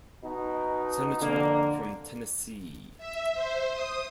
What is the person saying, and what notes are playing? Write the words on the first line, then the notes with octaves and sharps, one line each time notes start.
Senator from Tennessee.
B2 D#4
F2 D3 A#3
E5
C5
D#6